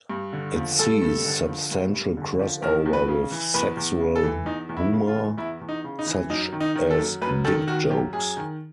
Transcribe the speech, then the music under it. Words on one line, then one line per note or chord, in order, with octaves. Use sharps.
It sees substantial crossover with sexual humour, such as dick jokes.
G2
D3
F3
G2 A4
G2
D3
F3
G2
G2
D3
F3
E2 A#4
E2
B4
C#3
E3
E2 B4
E2
C#3
A4
E3
E2 D#4
E2
E4
C#3
F4
E3
E2 E4
E2
D#4
C#3
D#4
E3
F#2 D#4
D#3
D#4
D#3
A4
F#2
F#2 B4
D#3 A4
D#3 F#4
F#2 G4
F#2 G#4
D#3